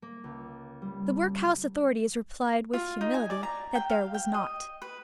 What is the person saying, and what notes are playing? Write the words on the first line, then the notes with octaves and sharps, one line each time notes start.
The workhouse authorities replied with humility, that there was not.
A#3
C#2
G3
F4
D#4
G#5
D5
A#5
G5
F5
G5
D#5
B4